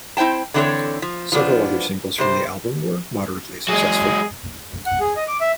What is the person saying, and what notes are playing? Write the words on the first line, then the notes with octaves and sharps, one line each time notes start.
Several other singles from the album were moderately successful.
C4 E4 C5 G5 A5
D3 E3 C4 D4 A4 C#5
F3
F3 G#3 B3 D4
C3 G3 C5
F#3 G#3 G#4
F#5
G#4
D#5
D6
E5